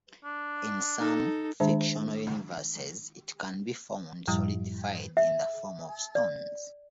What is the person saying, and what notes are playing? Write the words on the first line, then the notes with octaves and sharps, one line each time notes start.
In some fictional universes, it can be found solidified in the form of stones.
D4
D#4 A4
D#3 G#3 D4 G#4 C5 A5
F#2 A2 F3 G3 E4
E5
D5